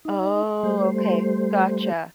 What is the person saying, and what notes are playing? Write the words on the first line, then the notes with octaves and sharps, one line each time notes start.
Oh, okay. Gotcha.
D#4
G3 A3 C5